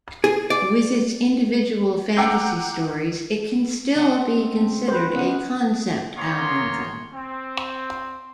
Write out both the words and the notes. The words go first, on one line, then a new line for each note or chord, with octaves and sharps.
With its individual fantasy stories, it can still be considered a concept album, though.
G#4
D5
F#5 G5 A#5 D6 E6 G6
C#3 C4 D#5 F#5
B4 C5
B3 C#4 D#5 F#5
A#3 B3 C#4 C#5 A#5 C6
C4